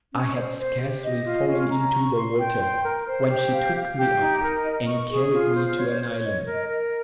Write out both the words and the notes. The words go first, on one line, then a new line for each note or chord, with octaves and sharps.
I had scarcely fallen into the water, when she took me up, and carried me to an island.
C#4
C5
C5
G4
D#5
F4
C#4
A#5
C#6
C6
G5
C6
A#4
C5
G4
F5
F5
G4
D#4
A#4
D#5
C#6
G#4
F4
C5
C#5
C#5
D#5
A#4
A#4